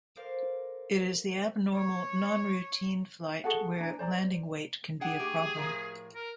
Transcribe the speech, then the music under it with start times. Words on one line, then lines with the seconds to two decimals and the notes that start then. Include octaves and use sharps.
It is the abnormal, non-routine flight where landing weight can be a problem.
0.16 A4 A#4 C5 D5 F5
1.74 C#5
3.44 F#4 G#4 A4 F#5
3.80 D4 G#5 A#5
3.99 C5 D5 A#5
5.01 D4 G#4 F#5 G5
5.19 A3 G4 G5
5.56 A2 F3 A#4
6.15 A#4